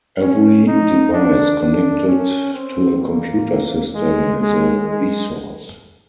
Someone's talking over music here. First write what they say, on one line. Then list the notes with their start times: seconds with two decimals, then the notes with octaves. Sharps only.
Every device connected to a computer system is a resource.
0.21 C#4
0.67 D#4
1.13 D4
1.61 D4
2.08 C#4
2.54 C4
3.01 A#3
3.94 G#3
4.42 G#3
4.89 G#3